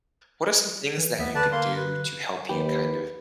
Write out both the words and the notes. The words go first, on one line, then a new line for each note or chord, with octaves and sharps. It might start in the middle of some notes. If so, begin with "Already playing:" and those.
what are some things that you could do to help you kind of
E3
D#2 B3 E5
D3 B4 D5 A5
A#3 F5 C6
B4
D#2 G4 B4